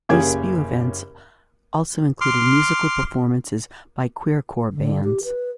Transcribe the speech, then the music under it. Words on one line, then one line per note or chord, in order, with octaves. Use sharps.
These Spew events also included musical performances by queercore bands.
F#1 A#3 C#4 G4 G#4 G#6
C6 D6 F6
D3
G4
B4